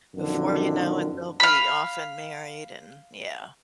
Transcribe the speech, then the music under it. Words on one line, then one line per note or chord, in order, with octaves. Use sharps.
Before you know it, they'll be off and married and yeah.
F#2 B2 D3 D#3 F3
F5 B5